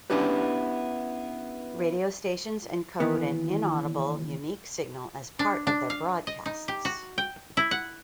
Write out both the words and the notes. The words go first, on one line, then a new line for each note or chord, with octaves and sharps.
Radio stations encode an inaudible, unique signal as part of their broadcasts.
B3 C#4 D4 E4 G4 B4
D#2 E3 B3
D4
D4
F5
D#5
D#4
G4
F#4
G5
E4
F#5